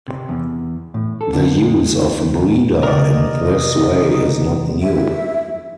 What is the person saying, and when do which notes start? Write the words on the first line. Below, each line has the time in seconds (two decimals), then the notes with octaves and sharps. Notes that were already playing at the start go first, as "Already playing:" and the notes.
The use of "breeder" in this way is not new.
0.08 C3
0.29 E2
0.94 A2
1.21 A4
1.33 D3
1.62 G#3
2.83 C3 A#4 D5 D#5
4.82 E5